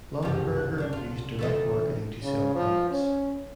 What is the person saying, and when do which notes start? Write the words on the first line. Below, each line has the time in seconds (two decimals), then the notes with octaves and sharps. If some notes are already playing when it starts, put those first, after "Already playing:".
Longaberger used direct marketing to sell products.
0.23 F#1 C2 G2 F3 G4
0.57 F#6
0.78 F#2 D4
0.93 F4
1.39 D2 E3 A3 F4 D#5 E5
2.22 C#3
2.55 F3
2.90 C#4